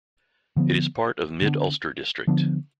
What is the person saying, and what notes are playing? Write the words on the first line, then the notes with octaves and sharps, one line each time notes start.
It is part of Mid-Ulster District.
D3 F3 B3 D4
D3 F3 B3 D4
D3 F3 B3 D4